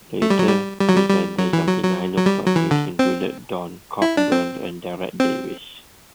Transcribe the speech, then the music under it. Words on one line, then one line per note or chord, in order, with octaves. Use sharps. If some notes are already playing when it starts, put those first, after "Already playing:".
Later presenters of the "Nine O'Clock News" included Don Cockburn and Derek Davis.
A3
G3
F#3
G3
G3
F#3
G3
G3
F#3
E3
F#3
F#3
F#3
G3
F#3
E3
D3
C4
E4
D4
C4
C4